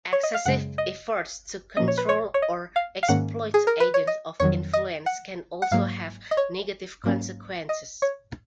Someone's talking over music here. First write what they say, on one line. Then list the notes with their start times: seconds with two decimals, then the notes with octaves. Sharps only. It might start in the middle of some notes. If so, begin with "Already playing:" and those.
Excessive efforts to control or exploit agents of influence can also have negative consequences.
0.13 C#5
0.23 D#5
0.34 F5
0.45 F#2 C#3 G#3 F#5
0.78 D#5
1.77 A#2 F3 A#3 C#4 D#5
1.88 C#5
1.98 B4
2.09 C#5
2.34 C#5
2.42 D#5
2.76 F5
3.03 F5
3.08 G#2 D#3 A#3 C#4 F#5
3.54 G#4
3.67 A#4
3.80 B4
3.94 C#5
4.07 D#5
4.40 F2 D#3 F#3 C#5
4.74 D#5
5.06 F#5
5.62 F#5
5.71 G#2 F#3 A#3 F5
6.31 D#5
6.37 C#5
7.04 G#2 F#3 A#3 C#4
7.69 D#5
8.02 C#5